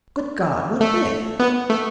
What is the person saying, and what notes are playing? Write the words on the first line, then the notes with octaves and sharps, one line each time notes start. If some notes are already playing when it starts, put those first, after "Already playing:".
'Good God! what with?'
A3
B3
A3